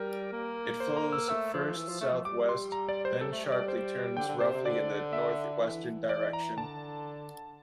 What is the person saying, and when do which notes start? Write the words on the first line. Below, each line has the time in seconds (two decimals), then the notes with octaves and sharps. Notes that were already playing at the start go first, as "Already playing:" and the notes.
It flows first south-west, then sharply turns roughly in the north-western direction.
Already playing: G3 A#4
0.32 A#3
0.80 C5
0.97 A#5
1.12 E6
1.28 A3 E6
1.53 F3
1.76 E3
1.88 F3
2.00 A3
2.13 F3
2.25 G3 D6
2.49 C6
2.72 A#5
2.89 D5
3.05 C5
3.21 G3 A4
3.32 A3
3.44 G3
3.52 D5
3.68 C5
4.17 D3 G5
4.28 D3
4.40 C3 C5
4.53 C3
4.65 D3 D5
5.13 E5
5.60 E3
6.09 D5
6.33 A#5
6.57 D3 A5